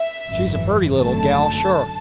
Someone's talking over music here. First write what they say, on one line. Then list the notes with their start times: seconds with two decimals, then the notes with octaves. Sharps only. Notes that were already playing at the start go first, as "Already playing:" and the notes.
"She's a purty leetle gal--shore."
Already playing: E5
0.28 G#1 F#2 E3
1.00 G#1 F#2 D3 F#3 A3 A5